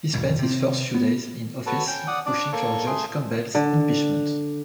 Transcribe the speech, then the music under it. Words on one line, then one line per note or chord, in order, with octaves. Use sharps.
He spent his first few days in office pushing for Judge Campbell's impeachment.
B1 F2 G#2 B2
C3 C4
B3
F#4 A4 B4 C#5 A5
C#4 G5
D5 F#5 D#6
D4 D5 D6
A#3 A4 C#5 C#6
A3 G#4 C6
D3